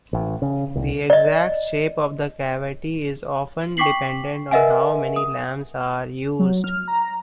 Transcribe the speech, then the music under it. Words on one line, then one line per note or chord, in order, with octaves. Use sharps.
The exact shape of the cavity is often dependent on how many lamps are used.
A1
C#3
C2
D5 D#5
G5 C#6 D6 B6 C7 F#7
A#4 B4 D#5 E5 F#5 G#5
D#6
F#3
F6
A#5